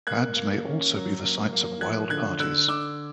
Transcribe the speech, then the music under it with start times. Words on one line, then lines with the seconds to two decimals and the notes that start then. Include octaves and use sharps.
Pads may also be the sites of wild parties.
0.07 A#3 F#6 G#6
0.36 A#3
0.65 C#4
0.95 F#3
1.24 A#3
1.53 A#3
1.81 F3 F#6 G#6
2.10 D3 F#6 G#6
2.39 D3 E6 F#6
2.68 D3 D6 E6